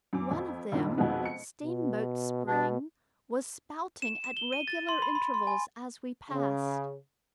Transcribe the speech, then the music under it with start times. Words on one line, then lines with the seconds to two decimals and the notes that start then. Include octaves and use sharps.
One of them, Steamboat Spring, was spouting at regular intervals as we passed.
0.13 F#2 D6
0.31 F2
0.72 F#1 G2 A#2 D#3
0.97 F2 B2 F3 G#3 B3 D#4
1.25 C#7
1.63 B2
2.45 B2 B3 D4
4.02 E7
4.24 E7
4.37 G7
4.53 D#7
4.68 A6
4.89 C6
5.02 B5
5.15 B5
5.34 C6
5.47 G#5
6.31 C#3